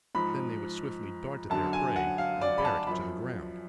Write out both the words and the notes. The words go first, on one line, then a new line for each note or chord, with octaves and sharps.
Then they would swiftly dart at their prey and bear it to the ground.
G#2 F3 B5
F#2 D3 F#3 A5
G#5
F#5
F5
D5
B5
A5
F#2 F3 B5